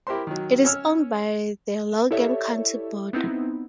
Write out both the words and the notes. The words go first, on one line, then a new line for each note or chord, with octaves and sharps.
It is owned by the Logan County Board.
E4 G4 A#4 C5 C6
D#3 F#3
C#4 C#5 E6 F6
E4 G4 A4 C#5 D5 E5
B3 C4 D#4 E4